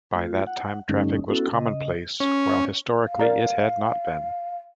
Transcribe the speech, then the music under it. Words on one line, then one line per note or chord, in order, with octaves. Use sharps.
By that time, traffic was commonplace while historically it had not been.
A3 F4
F#5
G2 D3 G3 A3 C#4 D#4
B3 C#4 E4 F#4 A4
C#3 D#5
C#4
F5
A#4 D5 A#5